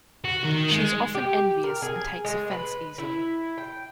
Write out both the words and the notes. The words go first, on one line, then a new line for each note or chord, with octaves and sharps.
She is often envious and takes offense easily.
F#4
D#3
G#3
G4
A#4
G#4
G#3
B4
E4
G5